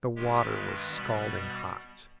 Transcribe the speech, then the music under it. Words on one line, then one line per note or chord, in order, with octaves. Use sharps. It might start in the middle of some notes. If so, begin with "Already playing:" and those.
The water was scalding hot!
G2 D#3 G#3 G4
B4
B2 G3 B3